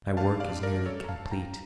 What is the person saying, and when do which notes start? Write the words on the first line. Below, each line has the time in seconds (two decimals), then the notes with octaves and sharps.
My work is nearly complete.
0.17 E3 A3 D4 F5 A5
0.40 D5 F5
0.63 A#4 D5
0.86 A4 C#5
1.04 A#5
1.09 F5 A5
1.26 A5
1.31 G5 A#5